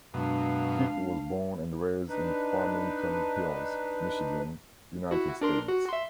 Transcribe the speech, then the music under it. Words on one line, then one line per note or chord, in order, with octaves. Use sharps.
Keith was born and raised in Farmington Hills, Michigan, United States.
F#2 B2 G#3 D4 F5 A5
D4 D#4 B4
E4 F#4
D4 A#4 C6
F#4
E5 C6